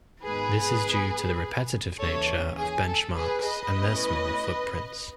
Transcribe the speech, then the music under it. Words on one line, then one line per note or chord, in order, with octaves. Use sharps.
This is due to the repetitive nature of benchmarks and their small footprints.
G#2 D#3 G#3 B3 G#4 B4
D#2 C#3 E3 A4 C#5
G#4
A4
G#4 B4
B4 D#5
B2 A3 C#4 E4